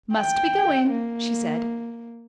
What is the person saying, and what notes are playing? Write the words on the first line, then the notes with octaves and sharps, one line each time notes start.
"Must be going," she said.
G5
A#3